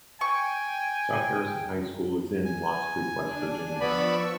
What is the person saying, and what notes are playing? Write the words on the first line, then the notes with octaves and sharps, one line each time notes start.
South Harrison High School is in Lost Creek, West Virginia.
G5 G#5 C#6
G#5
D4
F3 B3 D5 B5 C#6 E6